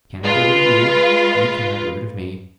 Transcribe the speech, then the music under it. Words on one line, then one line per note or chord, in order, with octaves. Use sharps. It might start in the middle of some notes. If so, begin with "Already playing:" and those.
I cannot get rid of you; you cannot get rid of me.
G#3 F4 B4